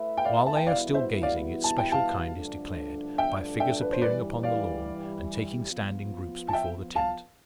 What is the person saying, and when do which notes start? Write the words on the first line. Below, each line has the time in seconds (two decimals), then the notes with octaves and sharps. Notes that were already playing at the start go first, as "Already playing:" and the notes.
While they are still gazing its special kind is declared, by figures appearing upon the lawn and taking stand in groups before the tent.
Already playing: A3 E4 B4 E5
0.17 G5
0.25 D5 F5
0.46 A5
0.56 G5
0.67 E2 B2 G3 B3 E4 D5 F5
0.94 C5 E5
1.22 D5 F5
1.64 A5
1.78 G5
1.92 F5 A5
2.34 G2 D3 F3 A3 D4
3.18 E5 G5
3.60 E5 G5
3.81 B4
3.92 C5
4.02 G2 E3 G3 B4 D5
4.43 D5 F5
5.69 F3 B3 F4
6.48 A5
6.53 E5 G5
6.95 F5 A5